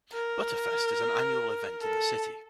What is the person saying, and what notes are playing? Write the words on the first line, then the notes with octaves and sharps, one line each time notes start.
Butterfest is an annual event in the city.
A#4
A4